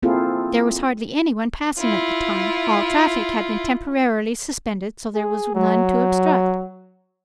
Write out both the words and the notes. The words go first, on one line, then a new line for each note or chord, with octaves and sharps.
There was hardly any one passing at the time; all traffic had been temporarily suspended, so there was none to obstruct.
A#3 C4 E4 F4 G#4 A4
E4 F4
G#4
F#3